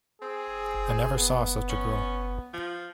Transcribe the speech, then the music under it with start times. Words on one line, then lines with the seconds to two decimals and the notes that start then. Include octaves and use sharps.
I never saw such a girl!
0.22 C4 G#4
1.16 B3
1.70 C#4
2.54 F3